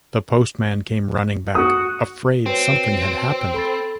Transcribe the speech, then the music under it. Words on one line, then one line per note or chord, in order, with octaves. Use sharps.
The postman came running back, afraid something had happened.
F#4 D#6
C4 F#4 B4 C#5
A4 B5 A6